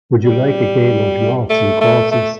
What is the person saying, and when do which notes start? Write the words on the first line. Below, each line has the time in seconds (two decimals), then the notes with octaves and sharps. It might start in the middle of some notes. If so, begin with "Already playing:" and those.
Would you like a game of noughts and crosses?
0.24 G3
1.50 A3
1.81 A3
2.11 A3